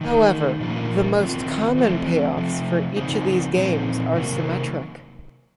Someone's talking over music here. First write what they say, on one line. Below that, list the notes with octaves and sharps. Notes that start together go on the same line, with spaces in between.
However, the most common payoffs for each of these games are symmetric.
D#3 A3 D#4
A#2 F3 A#3 C#4 F4
D#3 F#3 C4 F4
F3 A3 C4
C3 F3 A3
C#3 F3 C4 D#4
A#2 F3 C4 D#4
C3 D#3 F#3 A#3